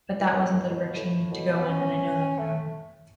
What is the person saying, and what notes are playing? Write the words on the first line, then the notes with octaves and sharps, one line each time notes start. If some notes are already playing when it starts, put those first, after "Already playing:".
But that wasn't the direction to go in, and I know that now.
E3
F#3
A2
B2
A2
B2
B3
C#4
A3